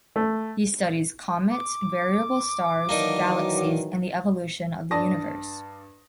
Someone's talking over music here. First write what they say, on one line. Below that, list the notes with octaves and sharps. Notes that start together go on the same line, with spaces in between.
He studied comets, variable stars, galaxies and the evolution of the universe.
A3
D6
D#3 E3 F#3 A#3 D4 D#4
G2 D5 A5 D#6 A#6